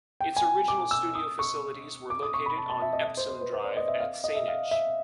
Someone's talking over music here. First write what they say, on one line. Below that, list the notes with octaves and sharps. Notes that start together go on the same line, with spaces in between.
Its original studio facilities were located on Epsom Drive in Saanich.
G5
G#5
D6
E6
D#6
C#6
D6
D#6
C#6
B5
A5
A5
E5
D#5
D#5
C5
C5
B4
C5
D5
D#5
E5
F5
D#5
E5
F5
E5